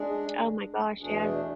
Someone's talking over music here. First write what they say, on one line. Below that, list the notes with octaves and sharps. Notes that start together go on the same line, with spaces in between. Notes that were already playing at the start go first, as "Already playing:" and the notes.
Oh, my gosh, yeah.
Already playing: G#3 D4 G#4
E2 B2 A3 D4 G#4